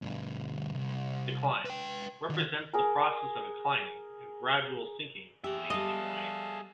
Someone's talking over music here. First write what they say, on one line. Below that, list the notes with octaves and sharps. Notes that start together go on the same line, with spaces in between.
"Decline" represents the process of declining, a gradual sinking and wasting away.
D2 G2
C2
B4 G5
D3 D#3
G#4 A#4
G4 G#4 E5
G3 A4 D#5 F5 A5